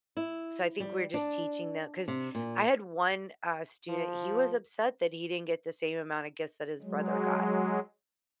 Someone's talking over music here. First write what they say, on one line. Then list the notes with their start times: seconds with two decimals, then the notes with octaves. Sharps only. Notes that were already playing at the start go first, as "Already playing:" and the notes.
so I think we're just teaching them 'cause I had one, uh, student, he was upset that he didn't get the same amount of gifts that his brother got.
0.17 E4
0.80 G3
1.14 D4
2.08 C3
2.35 A#2
3.89 F3
6.82 F#3 G#3